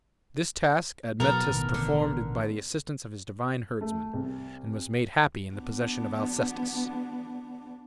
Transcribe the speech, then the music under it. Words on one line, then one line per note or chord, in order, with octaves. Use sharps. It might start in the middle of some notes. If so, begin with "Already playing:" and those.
This task Admetus performed by the assistance of his divine herdsman, and was made happy in the possession of Alcestis.
B2 F#3 B3 A4 A#4
A1 B2 D#3
D3
A3
C2
B3 D4